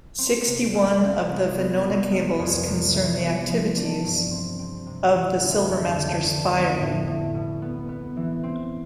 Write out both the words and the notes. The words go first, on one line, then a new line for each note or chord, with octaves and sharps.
Sixty-one of the Venona cables concern the activities of the Silvermaster spy ring.
C4
C3
C2
G3
C2
B3
B2
C2
F2
C3
E3
B3
F3
D4
G2
C4
C4
C3
E3
D2
F2
D3
D3
B3
A2
A2
B2
B3
B3
E3
C4